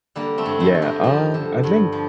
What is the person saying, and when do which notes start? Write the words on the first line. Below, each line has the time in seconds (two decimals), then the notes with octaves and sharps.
Yeah, uh, I think
0.16 D3 G3 A#3
0.38 A3 C4
0.46 G2
0.60 A3 C4
0.75 G2
0.82 G4 A#4
1.04 F3 G4 A#4
1.34 D3
1.63 G2
1.92 F3